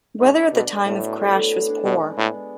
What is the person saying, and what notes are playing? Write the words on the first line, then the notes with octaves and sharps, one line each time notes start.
Weather at the time of crash was poor.
G#2 A4
D4
B2 B3
B3
A2 B3
F#3
A2
A2
G#4
D4
B2 G#3
G#3
A2 B3
G#3